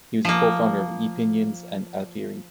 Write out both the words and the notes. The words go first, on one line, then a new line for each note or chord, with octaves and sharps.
He was a co-founder of Epinions and Alpiri.
F3 A#3